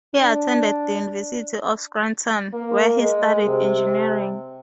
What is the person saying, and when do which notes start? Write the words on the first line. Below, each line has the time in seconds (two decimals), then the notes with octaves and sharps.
He attended the University of Scranton, where he studied engineering.
0.21 D4
2.53 A#3
2.99 G#3
3.46 C3